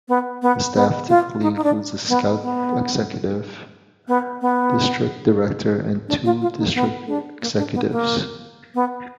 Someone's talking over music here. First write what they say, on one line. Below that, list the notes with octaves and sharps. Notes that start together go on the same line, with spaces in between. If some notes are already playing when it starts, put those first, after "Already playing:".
The Staff typically includes a Scout Executive, District Director and two District Executives.
B3
B3
B3
F4
D#4
D#4
D4
B3
B3
B3
B3
D4
F4
F4
D#4
B3
D4
A#3
D4
B3
A#3
B3